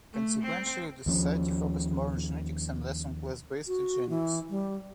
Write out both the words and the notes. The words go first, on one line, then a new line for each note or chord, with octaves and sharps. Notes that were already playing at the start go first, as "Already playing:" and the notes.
Consequentially, the society focused more on genetics and less on class-based eugenics.
A3
C4
D#2 F3 C4 C#4
F#4
E3
G3